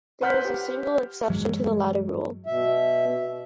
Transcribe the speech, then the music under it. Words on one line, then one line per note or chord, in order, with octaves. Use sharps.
There is a single exception to the latter rule.
B4 C5 F#5 F6 G6 B6
G4
G2 E3 F#3 G#3
B2 E5